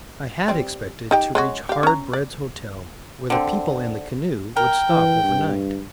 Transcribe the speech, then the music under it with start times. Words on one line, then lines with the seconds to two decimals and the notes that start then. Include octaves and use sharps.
I had expected to reach Hard Bread's Hotel, where the people in the canoe would stop overnight.
0.48 G3 C4
1.11 D#4 G4 G5
1.35 G#3 C#4 F#4
1.69 G4 F5
1.83 C#4 A#5
2.13 D5
3.30 D3 C4
4.57 A#4 G5
4.90 E3
5.23 G2